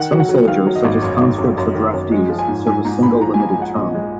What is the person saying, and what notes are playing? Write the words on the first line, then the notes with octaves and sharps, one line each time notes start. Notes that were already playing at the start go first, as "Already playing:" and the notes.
Some soldiers, such as conscripts or draftees, serve a single limited term.
Already playing: D#3 F#5
F#3
F#5
F#3
D#3 F5
F#3
D#5
G#1
F#2 C#5
G#1
F#2
F#2
D#3
F#2
G#3
F3
G#5
G#2
G#2 G#5
G#2 A#5
A#1 B5
F3 A#5
G#5
F3
G#5
G#3 F#5
A#1 D#5
G#3